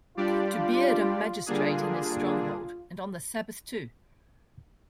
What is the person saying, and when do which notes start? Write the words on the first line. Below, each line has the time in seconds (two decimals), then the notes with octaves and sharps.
To beard a magistrate in his stronghold, and on the Sabbath, too!
0.17 G3 D4 F4 G4 D5
1.46 D3 G3 A#3 D4 F4 G#4